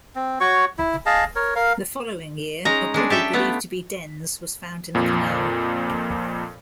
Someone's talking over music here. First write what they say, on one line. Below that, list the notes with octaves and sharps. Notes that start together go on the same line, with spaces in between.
The following year, a body believed to be Den's was found in the canal.
C4
F#4 C#5 C#6
E4
G#4 D#5 F5 A5
A#4 C#5
A#4 F5
G#3 C#4 D#4 A#5
G#3 C#4 D4
G4 A4 E5 G5
A3 B3 F4
F2 A#2